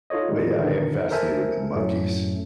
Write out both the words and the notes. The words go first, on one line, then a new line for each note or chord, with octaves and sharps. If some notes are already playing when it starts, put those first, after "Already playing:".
but, yeah, I am fascinated with monkeys.
D#4 F4 A4 C#5 D#5
A2 D#3 G3 G#3
A#2 D3 D#3
A4 A#4 C5 E5 G#5 A5
F#2 A2 F#3 A3 C#4